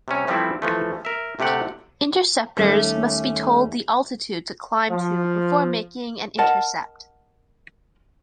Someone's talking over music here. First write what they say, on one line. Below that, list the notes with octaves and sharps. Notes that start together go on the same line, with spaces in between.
Interceptors must be told the altitude to climb to before making an intercept.
C3 G3 C#4
E3 F3 G3 A3 C4 E4
E3 F3 A3
A#4 E5
D2 C3 A3 G4 F#5
D#2 G3 A3 C#4
F3
A#4 D#5 F#5 A5